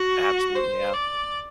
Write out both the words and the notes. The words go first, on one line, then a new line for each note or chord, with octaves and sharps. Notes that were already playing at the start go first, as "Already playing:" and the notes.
Absolutely, yeah.
Already playing: F#4
C5
D5